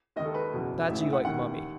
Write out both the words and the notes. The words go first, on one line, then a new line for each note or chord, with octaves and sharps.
Glad you like the mummy.
D#2 D#3 D#5
A4
B4
F#1 E2 B2
A1 A2 E3 E5
E5
F#5
D#2 D#3 F#5